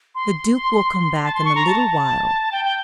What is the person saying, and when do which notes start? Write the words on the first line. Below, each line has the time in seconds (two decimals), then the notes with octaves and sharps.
The duke will come back in a little while.
0.15 C6
1.24 A5
1.35 C6
1.45 C#6
1.55 A#5
1.66 A5
2.52 G5
2.65 G5